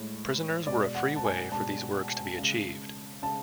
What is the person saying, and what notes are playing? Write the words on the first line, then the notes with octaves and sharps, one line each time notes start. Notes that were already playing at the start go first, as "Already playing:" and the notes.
Prisoners were a free way for these works to be achieved.
Already playing: A2 G#3
B2 G#3 D5
F#5
A5
G#5
B2 G#3 A5
C#3 G#3
C#3 G#3 A5